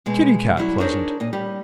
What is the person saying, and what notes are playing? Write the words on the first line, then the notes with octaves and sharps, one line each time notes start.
Kitty-cat pleasant!
B2 G#3
F#3 G3 E4
D4 D#4 G#4 A#4 C5 C#5
A#2 D#5
G3 G4